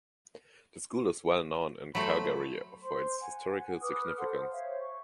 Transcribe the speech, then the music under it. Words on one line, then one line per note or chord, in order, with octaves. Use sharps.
The school is well known in Calgary for its historical significance.
F#3 A3 C5 B5
C5 C6
F#5 G#5
B4 D6 D#6 F6
A4 C5 F#5 C6
C5 C#5 E5 F5
C#6